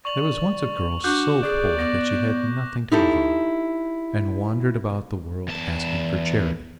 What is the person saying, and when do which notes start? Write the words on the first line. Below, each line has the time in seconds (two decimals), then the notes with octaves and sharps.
There was once a girl so poor that she had nothing to live on, and wandered about the world asking for charity.
0.05 D5 C#6 F7 F#7
1.04 D4 F#4 D6 F#6 G6
1.43 G#4 D5
1.79 B3 D6 A#6
2.92 D#4 E4 G4 A4
5.48 E2 A5